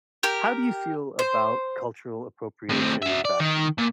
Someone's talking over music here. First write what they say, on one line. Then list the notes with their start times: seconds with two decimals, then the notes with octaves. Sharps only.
How do you feel about cultural appropriation in fashion?
0.23 G4 A#4
1.19 C5
2.69 A2 C4
3.02 F#4 E5
3.25 D5
3.40 D#3
3.78 A#2